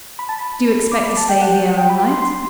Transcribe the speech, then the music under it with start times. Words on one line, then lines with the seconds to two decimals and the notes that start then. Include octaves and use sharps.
"Do you expect to stay here all night?"
0.19 B5
0.29 A5
0.39 B5
0.92 D6
1.04 B5
1.17 A5
1.29 G5
1.41 F#5
1.53 G5
1.66 F#5
1.78 G5
1.90 B5
2.07 C6
2.22 C6